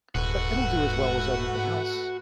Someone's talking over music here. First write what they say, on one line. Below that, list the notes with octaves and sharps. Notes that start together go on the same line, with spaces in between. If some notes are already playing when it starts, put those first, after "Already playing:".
But it'll do as well as anything else!
D#1 G#2 A3 F#4 B4 F#5